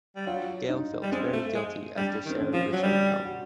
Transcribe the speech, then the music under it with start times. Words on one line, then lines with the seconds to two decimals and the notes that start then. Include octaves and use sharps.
Gail felt very guilty after Sarah returned home.
0.16 G3
0.26 F#3 F4
0.69 D#4
1.02 G3
1.12 G#3 C4
1.33 A3
1.55 G#3
1.97 G3 D4
2.25 D#3
2.30 C4
2.40 C#4
2.53 F3
2.73 F#3
2.83 G3 D4
3.25 F#4